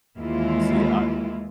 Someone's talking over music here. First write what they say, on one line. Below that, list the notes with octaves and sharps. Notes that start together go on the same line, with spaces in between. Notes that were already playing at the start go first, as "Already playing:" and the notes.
and see I
D#2 E3 G#3 A#3 E4 F4